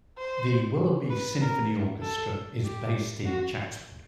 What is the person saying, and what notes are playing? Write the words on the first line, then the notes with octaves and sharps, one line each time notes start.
The Willoughby Symphony Orchestra is based in Chatswood.
C5
B4
A#4
A4
G4
F#4